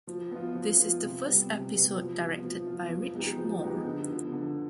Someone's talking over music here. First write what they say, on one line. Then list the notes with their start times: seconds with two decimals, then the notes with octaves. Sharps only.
This is the first episode directed by Rich Moore.
0.07 F3
0.31 B3 F4
0.55 F3
0.78 B3 F4
1.02 C3
1.26 G3 B3
1.49 C3
1.73 G3 B3
1.96 F3
2.20 B3 F4
2.44 F3
2.67 B3 F4
2.90 F3
3.14 G#3 B3 D#4 G4
3.38 F3
3.61 G#3 B3 D#4 G4
3.85 D3
4.08 F3 B3
4.32 D3